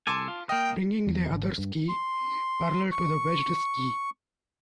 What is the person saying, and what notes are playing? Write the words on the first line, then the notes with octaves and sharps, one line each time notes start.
Bringing the other ski parallel to the wedged ski.
C2 A4 G#5 A5 C6 D6
F4
A#3 D#5 F5 G5
E2
G#1
G2
C6
C#6